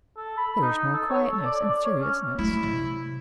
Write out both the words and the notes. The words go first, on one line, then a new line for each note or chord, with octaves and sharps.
There is more quietness and seriousness.
A4
B5
D#4
A4
C#5
A4
D5
D5
C#5
C#4
F#3 A3 E4
C3